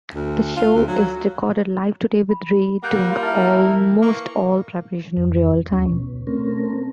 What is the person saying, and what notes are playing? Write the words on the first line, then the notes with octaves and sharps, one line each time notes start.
The show is recorded live-to-tape, with Ray doing almost all preparation in real time.
D2
F4
D2
F#3
B5
G3 A#3 F#5 A#5 F#6 G6
F4
E4 A#4 A5 F6 A6
E3 A#3 C#6
F2
D#2 C#4
B2
A3 C4 C#4 A#4